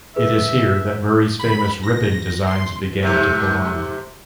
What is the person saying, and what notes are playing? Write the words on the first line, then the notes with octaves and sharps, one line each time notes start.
It is here that Murray's famous ribbing designs began to form.
G#4 B4 E5
B5
A#6
C6
G#2 C3